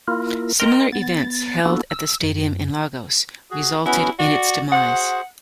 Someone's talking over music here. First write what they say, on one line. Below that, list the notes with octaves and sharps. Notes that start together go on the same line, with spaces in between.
Similar events held at the Stadium in Lagos resulted in its demise.
A#3 E4 F4 A#4
A#4 D#5 G5 A#5 C6
B3 A6
A#3 B3 D4 E4 F#4 A4
E6
F#2
F#4 G#4
B3 C#4 E4 F#4
F#4 D5
F#4 G#4 C5 F#5